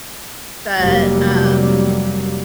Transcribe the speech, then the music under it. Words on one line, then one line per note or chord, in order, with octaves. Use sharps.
but, um,
F1 F#3 G3 A#3